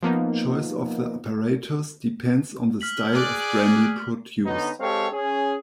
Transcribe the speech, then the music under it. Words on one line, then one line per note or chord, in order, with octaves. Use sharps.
Choice of the apparatus depends on the style of brandy produced.
F3 A#3 B3 D#4
F6 B6 F#7
G#4 D5 F#6
D3 B3 C#4 D#4
G#3 C4 G4 A4 C#5 F5
C#4 G#4